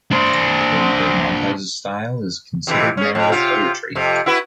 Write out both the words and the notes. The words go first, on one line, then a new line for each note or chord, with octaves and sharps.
Felipe Montes’ style is considered narrative poetry.
D4 C5
F2 C3 E3
C#4 G#4
F2
C3 F4
F2 C3
E4 F#4 B4